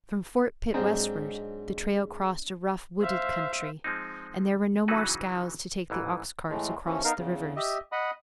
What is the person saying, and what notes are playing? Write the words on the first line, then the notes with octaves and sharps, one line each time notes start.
From Fort Pitt westward the trail crossed a rough, wooded country, and there were no more scows to take the ox-carts across the rivers.
G#2 F#3 G#3 C4 D4 D#4
C5 E5 F5
F3 G#3 C4 D#4
C#3 E3 F#3 D#4 F#4 B4
A1 G#2 E3
A2 E3 G#3 A3
D#2 E3 F3 C#4
B3 D#4 A#4 F5
E2 C#3
G4 D#5 E5
D#5 F#5 B5 D#6